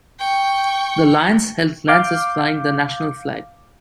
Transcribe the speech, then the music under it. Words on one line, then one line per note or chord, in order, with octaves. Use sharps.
The lions held lances flying the national flag.
G5 C#6
F5 D6 G6